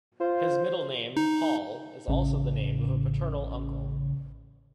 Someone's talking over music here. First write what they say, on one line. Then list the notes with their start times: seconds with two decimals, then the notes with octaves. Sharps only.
His middle name, Paul, is also the name of a paternal uncle.
0.20 F4 C5
1.17 D#4
2.08 A1 C#3